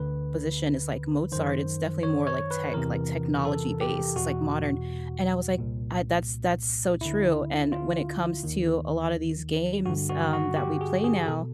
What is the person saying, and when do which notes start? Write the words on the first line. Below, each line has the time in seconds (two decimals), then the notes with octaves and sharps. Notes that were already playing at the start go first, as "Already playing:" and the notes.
composition is like Mozart. It's definitely more like tech, like technology based. It's like modern." And I was like, I that's that's so true, and when it comes to a lot of these games, um, that we play now,
Already playing: D2 D3 B4
1.32 F#2 D#3 C5
2.03 C#5
2.27 C#5
2.51 B4
2.74 E2 C3 E3 A#4
3.45 A4
3.81 G4
4.16 E2 B2 F#4
5.59 C2 A#2
7.01 D2 D3 E4
7.72 F4
8.43 D#2 D#3
9.86 G2 D3 F#4
10.09 F#4
10.33 F#4
10.57 G4
10.81 G#4
11.04 G#4
11.28 B2 A4